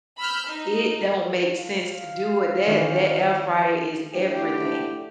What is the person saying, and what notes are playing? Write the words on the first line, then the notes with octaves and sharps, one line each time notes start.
It don't make sense to do it. That that air fryer is everything.
B5 E6 F6 G6
D#4
F5
D#3 E3 C#4
A3 D4 E4 F#4 G4